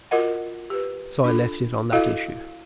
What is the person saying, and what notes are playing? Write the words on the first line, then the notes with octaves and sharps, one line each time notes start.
So I left it on that issue.
F4 F#4 A#4 D#5 F#5
G4 B4
D4 F4 A4
E4 F#4 A4 D#5 F5